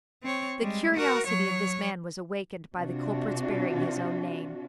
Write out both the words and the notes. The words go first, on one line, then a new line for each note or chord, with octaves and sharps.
The curiosity of this man was awakened by the culprit's bearing his own name.
C4 C#5
G3 G#3
F#4 A#4
F#3 C#5
C3 D4 F4 F#4